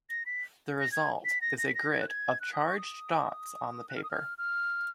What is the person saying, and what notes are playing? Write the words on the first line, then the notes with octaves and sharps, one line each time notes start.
The result is a grid of charged dots on the paper.
A#6
B6
A#6
G#6
B6
A#6
A#6
B6
A#6
G#6
F#6
G#6
F#6
D#6
C#6
D#6
F#6
F6
D#6
F6
F6